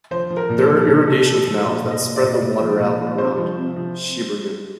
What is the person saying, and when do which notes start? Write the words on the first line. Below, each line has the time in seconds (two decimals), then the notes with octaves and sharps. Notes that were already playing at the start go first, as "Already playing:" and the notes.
There are irrigation canals that spread the water out around Sheberghan.
0.11 F3 C5
0.30 F3
0.37 A#4
0.49 A#2
0.62 A4
0.69 F3
0.88 A#2 A4
1.07 A#2 A4
1.27 F3 A4
1.46 F3 A4
1.65 A#2 A4
1.84 A#2
1.90 D#5
2.03 A#2
2.16 D5
2.23 A#2 D#5
2.33 D5
2.42 A#2
2.61 F3
2.80 A#2
2.99 F3
3.18 C3 C5
3.37 F3
3.57 C3
3.76 F3